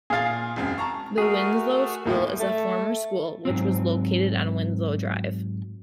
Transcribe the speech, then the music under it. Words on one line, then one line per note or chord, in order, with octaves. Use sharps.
The Winslow School is a former school which was located on Winslow Drive.
A#2 G#4 F5 A6
E1 F#2 C4
A5 A#5 C#6
A3 F#4 G#4 A#4
D#2 A2 G#3 A#3
A3
G#2 F#3 C4